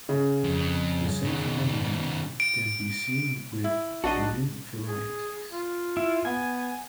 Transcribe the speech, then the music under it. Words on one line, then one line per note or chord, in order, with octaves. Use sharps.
The same phenomenon can be seen with Min varieties.
C#3
F2
B2 D#3
D7
E4
A#1 D4 D#4 F#4 D#5 A5
G#4
F4
E4
B3 G#5